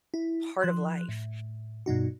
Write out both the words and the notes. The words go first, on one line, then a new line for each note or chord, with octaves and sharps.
part of life,
E4
F3 C6 F#6
A2
G2 B2 D#4 F#4